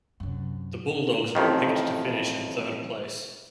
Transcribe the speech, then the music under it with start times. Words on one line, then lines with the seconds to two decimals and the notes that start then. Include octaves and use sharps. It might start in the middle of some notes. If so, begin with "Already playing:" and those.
The Bulldogs were picked to finish in third place.
0.20 F#2 C3
1.35 A1 F2 D#3